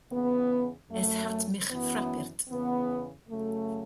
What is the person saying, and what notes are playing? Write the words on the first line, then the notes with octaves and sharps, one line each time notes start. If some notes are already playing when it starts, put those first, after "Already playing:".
Es hat mich frappirt.
E2 C#3 E3 B3
F#2 F#3 A3
F#2 E3 B3
E2 C#3 E3 B3
F#2 C#3 F#3 A3